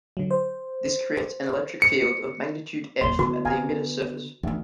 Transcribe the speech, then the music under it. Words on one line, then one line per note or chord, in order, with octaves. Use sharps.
This creates an electric field of magnitude "F" at the emitter surface.
D3 F#3
C5
C#7
D#1 B1 C6
D3 B3 D#4 E4 F#4
D#3 F5 G#5 A#5
D2 E3 D#4